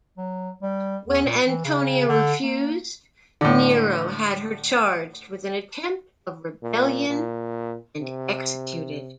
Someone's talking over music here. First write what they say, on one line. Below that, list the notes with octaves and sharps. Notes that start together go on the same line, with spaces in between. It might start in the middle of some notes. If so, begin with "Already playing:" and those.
When Antonia refused, Nero had her charged with an attempt of rebellion and executed.
F#3
G3
E2
A#2
E3
C#3
D3
A#3
A2 D3
A#2
A#2
C3